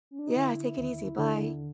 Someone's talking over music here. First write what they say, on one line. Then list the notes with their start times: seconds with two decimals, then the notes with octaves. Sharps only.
Yeah, take it easy, bye.
0.11 C#4
0.19 D4
0.28 D#4
0.36 D3 E4
0.78 D#2
1.18 D3